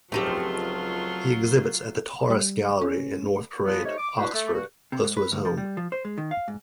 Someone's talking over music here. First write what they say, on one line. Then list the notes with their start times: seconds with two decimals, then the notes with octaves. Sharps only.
He exhibits at the Taurus Gallery in North Parade, Oxford, close to his home.
0.12 C#2 F3 F#3 A3 C4 D#4 F4 G4
2.30 G3
2.81 C#4
3.65 F3 F#3 B3
3.84 A3 D#4 G4 C5 C#5
3.98 D6
4.18 B3 D4 E4 F#4 B4 C5
4.33 A3
4.53 G2 G3 F#4
4.92 C3
5.04 G#2
5.17 B4
5.32 D2
5.45 F3
5.58 G3
5.77 F3
5.92 C5
6.05 G#3
6.18 D#3
6.31 F5
6.48 G#2